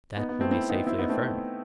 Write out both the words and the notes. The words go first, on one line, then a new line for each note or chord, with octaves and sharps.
That we may safely affirm.
B3 D#4
B3
A3 C4
C4 E4
B3 D#4
C4 E4
B3 D#4
A3 C4